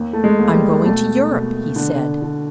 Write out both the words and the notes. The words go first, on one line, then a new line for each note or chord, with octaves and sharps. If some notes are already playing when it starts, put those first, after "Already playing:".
"I'm going to Europe," he said.
Already playing: D#2
A3
G#3
D#2
G3
B2 A3
B2
D3
D3